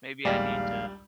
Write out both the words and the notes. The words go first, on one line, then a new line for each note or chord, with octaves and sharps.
Maybe I need to
A#1 D#2 G3 G#3 G4 G#4 D5 F5